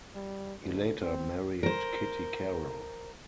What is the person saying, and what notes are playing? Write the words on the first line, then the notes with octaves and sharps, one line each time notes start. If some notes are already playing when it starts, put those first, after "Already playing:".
He later married Kitty Carrol.
G3
D2
C4
A#4 C5